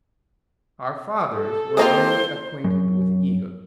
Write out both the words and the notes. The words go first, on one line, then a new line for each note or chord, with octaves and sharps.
Our fathers were only acquainted with egotism.
A4
G#3 A#3 C4 F4 G4 C5
F#2